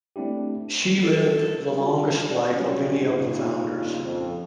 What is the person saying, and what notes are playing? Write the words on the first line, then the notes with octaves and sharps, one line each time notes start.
She lived the longest life of any of the founders.
A3 C4 D4 E4 G4
A4
G3 C#4 F4 F#4
D5
F#3 G3 C#4
G2 A#2 C#3 D#4 F4
F2